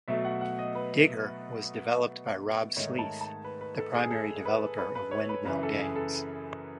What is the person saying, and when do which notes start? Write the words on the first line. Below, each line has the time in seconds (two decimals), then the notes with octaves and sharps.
"Digger" was developed by Rob Sleath, the primary developer of Windmill games.
0.08 B2 F#3 A3 E5
0.24 F#5
0.41 F#5
0.59 D#5
0.75 B4
2.76 G#2 D#3 A3 D#4 C#5
2.99 A5
3.21 A5
3.44 B4
3.61 B4
3.78 A4
3.94 G#4
4.11 A4
4.45 B4
4.78 B4
4.95 B4
5.11 C#5
5.29 B4
5.45 F#2 C#3 E3 B4
5.63 A4
5.80 G#4
5.96 A4